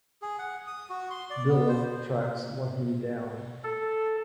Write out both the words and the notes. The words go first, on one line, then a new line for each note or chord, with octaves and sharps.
Billa tracks Lucky down.
G#4
F#5
D#6
F#4
C6
D5
B3
C5
A4